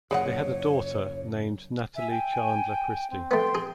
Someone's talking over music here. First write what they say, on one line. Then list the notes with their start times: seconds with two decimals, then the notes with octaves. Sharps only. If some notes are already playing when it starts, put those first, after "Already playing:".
They had a daughter named Natalie Chandler Christy.
0.11 F#1 A#2 G#4 C#5 D#5 F#5
1.96 E5 G#5
2.10 G5
3.10 C4
3.31 A3 B3 G5 C6
3.55 G#4